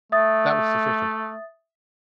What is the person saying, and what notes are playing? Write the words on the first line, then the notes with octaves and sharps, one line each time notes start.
That was sufficient.
A3 E5 D#6 A6